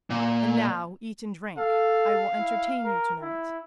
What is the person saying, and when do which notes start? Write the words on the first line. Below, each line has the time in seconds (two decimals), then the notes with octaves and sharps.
And now eat and drink; I will entertain you to-night.
0.10 A#2
1.58 A4 F5
2.38 E4
2.85 A#4
3.21 E4